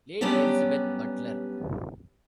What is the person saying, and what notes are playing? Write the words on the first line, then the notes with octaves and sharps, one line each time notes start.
Lady Elizabeth Butler.
F#3 G3 B3 C#4 D4 G4